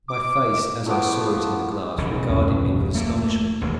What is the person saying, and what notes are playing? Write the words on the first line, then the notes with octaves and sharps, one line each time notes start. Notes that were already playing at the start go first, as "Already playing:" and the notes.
My face, as I saw it in the glass, regarded me with astonishment.
D6
A2 F3 B3 D6
E1 B1 C#3
D#1 F#2 C#4
A3 A#3
E1 D#2